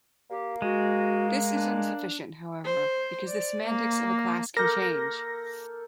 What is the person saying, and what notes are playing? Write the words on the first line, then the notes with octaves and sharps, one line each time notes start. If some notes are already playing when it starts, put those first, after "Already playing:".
This is insufficient, however, because the semantics of a class can change.
A#3 G4
G#3 F#4
D4
C5
D5
A#3
A#3 A4 A#4 G6 A#6